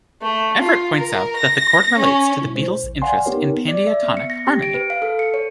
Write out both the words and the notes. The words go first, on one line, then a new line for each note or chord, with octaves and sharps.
Everett points out that the chord relates to the Beatles' interest in pandiatonic harmony.
A3
F4
A#4
A#6
C#4
B2 G#3 E4
C5
A#1
D5 F5 F#5 G#5 C6
B3 D#4 G4 A#4 C#5
D5
E5
B3
C#7
A#6
G4
D7
B4
F5
A4
C#7
C#5